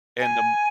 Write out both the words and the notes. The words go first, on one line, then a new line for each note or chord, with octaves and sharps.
and, um
G#5